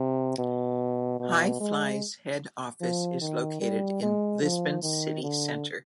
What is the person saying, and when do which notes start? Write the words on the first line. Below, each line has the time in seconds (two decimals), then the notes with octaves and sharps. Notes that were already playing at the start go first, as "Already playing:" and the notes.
Hi Fly's head office is located in Lisbon's city centre.
Already playing: C3
0.38 B2
1.20 B2
1.60 G#3
2.81 F3
3.21 D#3
3.61 G3
4.02 G#3
4.42 F3
4.83 D#3
5.23 D3